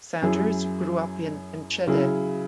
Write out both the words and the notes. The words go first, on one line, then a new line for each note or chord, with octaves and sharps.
Sanders grew up in Enschede.
F#2 F#3 E4 G#4
C#3 F#3 E4 G#4